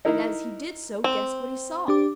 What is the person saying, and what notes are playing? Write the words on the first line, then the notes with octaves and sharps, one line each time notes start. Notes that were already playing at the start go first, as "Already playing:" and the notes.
And as he did so guess what he saw?
D#4 E4 A#4
C4
D4 G4 D6